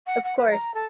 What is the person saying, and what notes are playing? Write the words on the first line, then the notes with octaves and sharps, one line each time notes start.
of course.
F#5
F#5
B4
A#5
A4